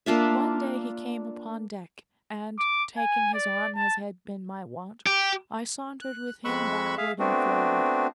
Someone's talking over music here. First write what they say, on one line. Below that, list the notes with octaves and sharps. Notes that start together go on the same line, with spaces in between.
One day he came upon deck, and, taking his arm as had been my wont, I sauntered with him backward and forward.
A#3 D4 F4 E5
D6
G#5
D5
A5
G4
F#6
F2 G#3 B5 C#6 E6 F#6
G#4 E5 F5
A3 B3 C4 D4 F#4